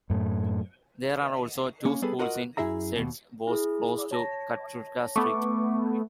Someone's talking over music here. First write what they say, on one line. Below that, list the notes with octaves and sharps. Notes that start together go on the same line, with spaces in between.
There are also two schools in Siedlce, both close to Kartuska Street.
F#2 A2
A#3 C#4
G3 B3 G#4 A4 B4
F4 F#4 A#4 D#5 F#5
F#2 E3 E4 G#4 E5 A#5
D#2 B2
E4 G#4
C#5 A5 A#6
A3 B3 C#6 D6